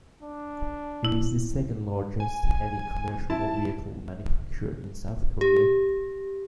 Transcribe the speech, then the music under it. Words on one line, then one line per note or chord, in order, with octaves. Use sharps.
It is the second-largest heavy commercial vehicle manufacturer in South Korea.
D4
E4
G#5
E4 A5
G4